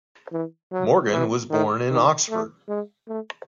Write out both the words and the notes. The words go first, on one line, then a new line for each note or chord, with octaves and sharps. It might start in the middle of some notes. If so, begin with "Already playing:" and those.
Morgan was born in Oxford.
E3
F#3
E3
D#3
D#3
A3
G#3
A3